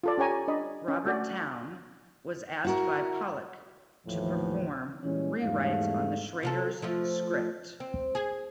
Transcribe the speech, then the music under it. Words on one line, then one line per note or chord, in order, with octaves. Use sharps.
Robert Towne was asked by Pollack to perform rewrites on the Schraders' script.
F4 A4 D5
C#4 G4 C#5 G#5 A#5
D4 D5 D#5 B5
C#4
A3 F#4 D5
E4 F#4 A#4
D#2 A2 E3 F3
A#2 E3 G3 G#3 C#4
E2 G#2 G3 A3 A4 F5
C3 F4 A4
F3 A3 F4
C4
G#4